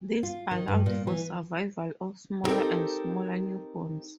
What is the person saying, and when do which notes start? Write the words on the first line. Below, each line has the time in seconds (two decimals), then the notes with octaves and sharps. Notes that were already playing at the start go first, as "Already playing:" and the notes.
This allowed for survival of smaller and smaller newborns.
0.23 F4
0.51 D#3
0.68 G2
0.86 A#2
1.07 E3
2.44 B3 C4 D#4 G4 A4 A#4